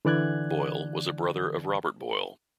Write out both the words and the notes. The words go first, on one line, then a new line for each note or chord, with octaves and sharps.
Boyle was a brother of Robert Boyle.
D3 E3 D5 F#6 G#6